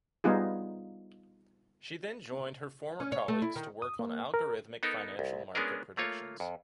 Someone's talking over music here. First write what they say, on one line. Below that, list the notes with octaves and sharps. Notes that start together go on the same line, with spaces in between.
She then joined her former colleagues to work on algorithmic financial market predictions.
G3 B3 D#4 F4 G#4
C#4
C#5
A3
E4
D#3
D#6
A#3
A#4
B3 D#4 A4 A#4
C2
G#3 B3 C#4 D4 G#4 A#4
A3 A#3 F4 C#5
F2